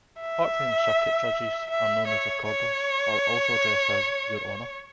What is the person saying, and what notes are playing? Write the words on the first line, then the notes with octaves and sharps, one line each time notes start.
Part-time circuit judges are known as Recorders but are also addressed as "Your Honour".
E5
E5
C#5
C#5